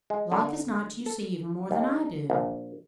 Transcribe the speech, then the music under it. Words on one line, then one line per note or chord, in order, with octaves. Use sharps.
"Like as not you see even more than I do!"
G#3
D3
A4
D#2
A#1